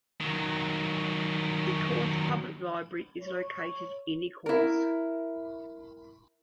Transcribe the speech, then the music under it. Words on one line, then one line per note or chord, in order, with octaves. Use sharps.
Ecorse Public Library is located in Ecorse.
D#3 F#3
C#5
E4 A#4